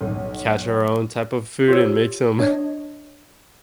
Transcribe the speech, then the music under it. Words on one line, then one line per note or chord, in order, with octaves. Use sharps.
catch our own type of food, and make some
B1
F4 G4 C5 C#5 E6
D4 C#5 D#5